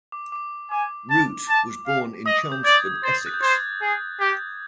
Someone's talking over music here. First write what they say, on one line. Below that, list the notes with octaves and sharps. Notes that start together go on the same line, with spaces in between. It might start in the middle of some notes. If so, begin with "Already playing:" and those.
Root was born in Chelmsford, Essex.
D6
D6
G#5 D6
A5
A5
F5
D#5 D#6
D#6
G6
D5 G#6
C5 A6
F#6
G6
C5 G#6
G#4
G4 G6